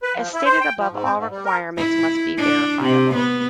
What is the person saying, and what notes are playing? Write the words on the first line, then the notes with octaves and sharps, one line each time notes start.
As stated above all requirements must be verifiable.
B4
F3
E4
C5
G5
F3
G#2
C4
G#2
G3
A#4
E4
D4
C3
B3